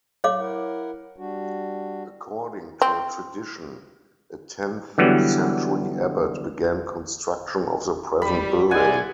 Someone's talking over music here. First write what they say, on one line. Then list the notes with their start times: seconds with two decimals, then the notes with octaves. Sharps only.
According to a tradition, a tenth-century abbot began construction of the present building.
0.24 C#5 F5 D6
0.39 E4 A#4 F#5
1.18 G3 D4 F#4
2.82 C4
4.98 D3 E3 F#3 G3 B3
8.22 G3 B5
8.71 E3 G#3 D5 F#5 G#5